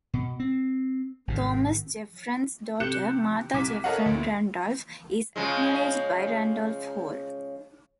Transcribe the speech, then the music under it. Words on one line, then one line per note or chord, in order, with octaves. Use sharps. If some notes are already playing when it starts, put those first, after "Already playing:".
Thomas Jefferson's daughter, Martha Jefferson Randolph, is acknowledged by Randolph Hall.
B2
C4
G#1 C3 D#3
C3 G4 F#6 G6 C#7 E7
C2 D6 B6
A4 A#4 C#5 D#5 F5 F#5
D2
C#3 F3 G#3